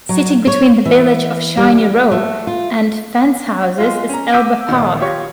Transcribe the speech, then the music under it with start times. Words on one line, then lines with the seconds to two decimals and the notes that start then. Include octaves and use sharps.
Sitting between the village of Shiney Row and Fencehouses is Elba Park.
0.09 F#3
0.47 C#5
0.86 E3
1.57 G3
2.12 A3
2.47 F4
3.78 G#3 F4
4.09 C#4 A#5
4.32 D6 E6 G6 B6 D7 D#7
4.68 A#1 D#3
5.00 F4 G4 C#5 C#6